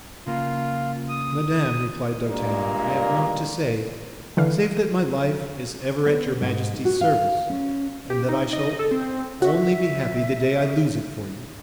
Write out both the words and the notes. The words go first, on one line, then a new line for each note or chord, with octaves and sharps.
"Madame," replied D'Artagnan, "I have nought to say, save that my life is ever at your majesty's service, and that I shall only be happy the day I lose it for you."
C#3 A#3 F4
D#6
G2 A#2 G#3 A#3
D3 E3 F5
B3
G#2
F#4
F5
C#4
G4
D#4
D#5
A4
C4
F#4 E5